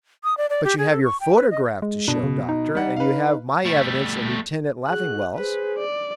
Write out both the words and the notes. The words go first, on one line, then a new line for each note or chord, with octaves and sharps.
"But you have your photograph to show, Doctor, and you have my evidence and Lieutenant Leffingwell's."
D#6
D5
D5
G4
G#4
A4
C#6
G5
B4
D#5
G#3
B2 D4
C#3
D#4
G3 F#5
B4 F5
G3 A3
F#4 G#4 F#6
G#4 B4 C5
D5